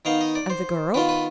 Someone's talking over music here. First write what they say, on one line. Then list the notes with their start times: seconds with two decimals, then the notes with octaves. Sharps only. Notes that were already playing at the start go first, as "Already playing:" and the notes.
"And the girl?"
0.05 D#3 B3 D#4 F5
0.21 D#5
0.35 D5
0.50 C5
0.94 D#3 B3 F4 B4
1.09 B4